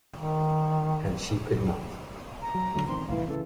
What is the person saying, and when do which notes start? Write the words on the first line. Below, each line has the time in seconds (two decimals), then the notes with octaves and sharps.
And she could not.
0.16 D#3
2.42 A#5
2.55 F#3
2.75 D3 F#3 A3
2.88 A1 D#3 C4 C6
3.09 C2 A2 E3 F5
3.28 C#3 E3 A4